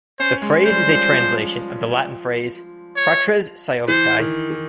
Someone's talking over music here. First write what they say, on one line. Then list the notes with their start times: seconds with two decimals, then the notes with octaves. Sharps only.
The phrase is a translation of the Latin phrase "fratres seiuncti".
0.20 C#4 C5
0.42 G#3
0.65 G3 C5
0.89 F3
1.11 F3
2.96 C#5
3.88 E3 C5
4.19 D#3
4.50 E3